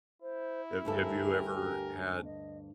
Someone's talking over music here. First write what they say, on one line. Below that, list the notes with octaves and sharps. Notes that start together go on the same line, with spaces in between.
Have have you ever had,
E4 C5
D2 G2 G4 A4 A#4 G#5
D#5